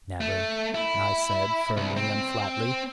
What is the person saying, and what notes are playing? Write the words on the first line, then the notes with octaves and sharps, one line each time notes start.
"Never," I said, firmly and flatly.
A3
E4
C2
C4